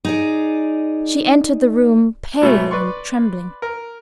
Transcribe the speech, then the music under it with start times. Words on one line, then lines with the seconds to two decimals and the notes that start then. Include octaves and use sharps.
She entered the room--pale and trembling.
0.05 D#4 G#4 D5
2.41 G#2 B2 A3
2.71 B4 D5 C6 C#6
3.62 A#4